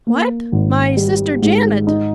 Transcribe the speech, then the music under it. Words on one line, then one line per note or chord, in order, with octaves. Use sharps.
"What! my sister Janet?"
A#3
G#1
G3
G#2
D#4